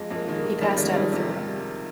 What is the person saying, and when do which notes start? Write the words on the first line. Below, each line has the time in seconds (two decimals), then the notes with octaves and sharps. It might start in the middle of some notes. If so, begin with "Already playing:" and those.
He passed out of the room.
Already playing: F2 G#3
0.11 F2 G#3
0.15 A#3
0.27 D#3 G#3
0.39 A#3
0.44 D#3
0.61 F2 G3
0.70 G#3
0.78 D#3 G3
0.85 G#3
0.94 F2 G3
1.13 C3